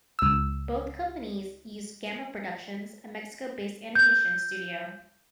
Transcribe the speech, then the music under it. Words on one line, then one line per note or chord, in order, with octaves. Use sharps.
Both companies used Gamma Productions, a Mexico-based animation studio.
C#2 E6
G6